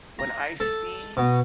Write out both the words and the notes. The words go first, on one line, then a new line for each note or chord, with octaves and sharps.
when I see
A#5
A4
B2